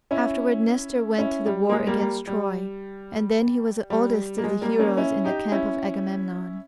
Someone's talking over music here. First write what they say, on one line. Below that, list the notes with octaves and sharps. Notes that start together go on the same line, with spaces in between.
Afterward Nestor went to the war against Troy, and then he was the oldest of the heroes in the camp of Agamemnon.
C#4 E4
C#4 E4
G3
A#3
G#3
G3 A#3
G3 A#3
G3
G3
A#3
G#3
G3 A#3
A#3 C#4
C#4 E4
D#4 G4
C#4 E4